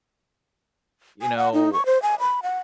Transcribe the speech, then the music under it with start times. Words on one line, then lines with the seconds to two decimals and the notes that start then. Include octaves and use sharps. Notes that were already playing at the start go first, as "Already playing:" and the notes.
you know, uh,
1.22 G#5
1.37 F#5
1.53 D#4
1.73 C#6
1.86 C5
2.02 G#5
2.20 B5
2.43 F#5